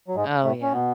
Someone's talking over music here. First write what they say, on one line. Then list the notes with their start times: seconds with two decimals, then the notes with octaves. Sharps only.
Oh, yeah.
0.08 F#3
0.15 G#2 G#3
0.44 A2 A3
0.62 C#4
0.72 B2 B3